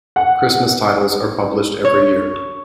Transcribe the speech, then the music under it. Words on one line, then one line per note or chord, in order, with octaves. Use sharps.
Christmas titles are published every year.
F#5
C#5